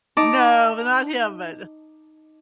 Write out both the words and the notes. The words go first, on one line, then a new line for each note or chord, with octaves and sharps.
No, not him but
D#4 A5 D6